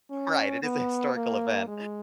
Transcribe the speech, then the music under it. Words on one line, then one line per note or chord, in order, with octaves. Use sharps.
Right, it is a historical event.
C#4
B3
A#3
G#3